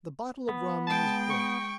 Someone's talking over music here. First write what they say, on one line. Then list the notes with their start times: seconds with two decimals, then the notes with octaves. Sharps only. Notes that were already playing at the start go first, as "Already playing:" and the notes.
The bottle of rum was brought.
0.49 B3
0.87 G#3 G5 A5
1.30 C#6